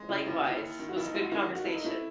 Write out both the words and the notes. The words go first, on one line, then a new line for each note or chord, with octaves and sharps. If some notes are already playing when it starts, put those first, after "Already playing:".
Likewise. It was a good conversation.
Already playing: G#3
C#3 E4
D#2 E4
F#4
D#2
E4
D#2
D#3
F#4
D#2 E4
D#4
G#3 E4
F#4
D#3 E4
F#4
D#3
F#4
A3 E4
D#4
A3 E4